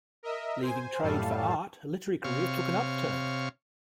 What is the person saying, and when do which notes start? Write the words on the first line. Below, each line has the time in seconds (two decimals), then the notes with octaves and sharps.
Leaving trade for art, her literary career took an upturn.
0.23 A#4 D#5 E5
0.61 C5 G#5
1.02 F#2 A2 G3 A4 F5 A5
2.24 C3 C#5 F5